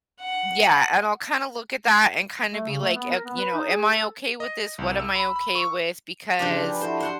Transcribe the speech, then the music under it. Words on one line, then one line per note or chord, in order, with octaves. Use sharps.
Yeah, and I'll kinda look at that and kinda be, like, i you know, "Am I okay with this? What am I okay with?" Because,
F#5
A3
C#3
A3
B3
A#4
B3
B4
D#4
G#4
A4
D#5
C2
E6
B5
B5
C#6
C#3 F3 D4 G4
B4 G5 G#5
E4 F#4 A4 C5
C5 F#5 C6